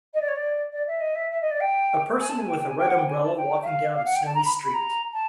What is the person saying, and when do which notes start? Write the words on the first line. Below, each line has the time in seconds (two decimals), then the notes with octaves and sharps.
A person with a red umbrella walking down a snowy street.
0.14 D#5
0.21 D5
0.28 C#5
0.35 D5
0.72 D5
0.87 E5
1.00 D#5
1.15 E5
1.31 E5
1.41 D#5
1.51 D5
1.60 G5
2.19 G#5
2.29 A5
2.39 G#5
2.48 G5
2.59 G5
2.68 G#5
2.79 G5
2.88 F#5
2.97 G5
3.07 G#5
3.22 A5
3.37 G5
3.62 E5
3.65 F5
3.95 F5
4.05 F#5
4.15 G5
4.25 A5
4.34 A#5
4.45 B5
4.64 B5
4.74 A#5
5.13 A5